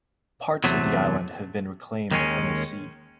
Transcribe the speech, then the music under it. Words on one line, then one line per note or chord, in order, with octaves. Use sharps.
Parts of the island have been reclaimed from the sea.
E2 C3 F#3 A3
D#2 D#3 G#3 C#4